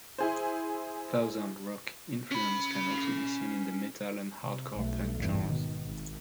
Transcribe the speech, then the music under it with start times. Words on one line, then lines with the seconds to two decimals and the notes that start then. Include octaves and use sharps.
Southern rock influence can also be seen in the metal and hardcore punk genres.
0.18 E4 G#4 C5
2.31 C#4 B5
4.42 C3
4.73 B1 A3
5.17 G#1 E2 G2
5.46 B2 D#3
5.85 G#1